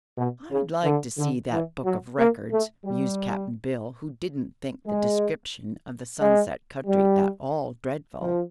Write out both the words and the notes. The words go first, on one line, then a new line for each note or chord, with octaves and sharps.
"I'd like to see that Book of Records," mused Cap'n Bill, who didn't think the discription of the Sunset Country at all dreadful.
B2
C#3
D3
D3
E3
F#3
A#3
A3
G3
G#3
G#3
G3
F3